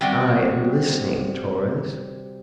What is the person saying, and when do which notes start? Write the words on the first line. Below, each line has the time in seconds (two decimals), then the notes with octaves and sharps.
"I am listening, Torres."
0.01 C3 G3 F#4 G5